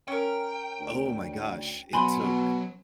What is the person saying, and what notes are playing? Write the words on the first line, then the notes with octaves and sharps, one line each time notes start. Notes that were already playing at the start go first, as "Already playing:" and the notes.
Oh my gosh. It took
C#4 A#4 G5
D2
B2 F#3 G#5 B5 C6
B2